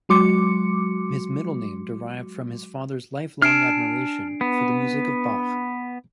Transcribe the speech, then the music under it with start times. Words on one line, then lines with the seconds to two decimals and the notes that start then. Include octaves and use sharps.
His middle name derived from his father's lifelong admiration for the music of Bach.
0.09 F#3 G#3 F#4 C6 D6 C#7
3.42 D4 A5 F6 C7 D7
4.41 B3